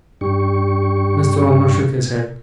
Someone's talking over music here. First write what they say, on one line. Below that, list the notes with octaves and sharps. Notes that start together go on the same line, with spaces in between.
Mr. Omer shook his head.
G2 D4 G4 C#6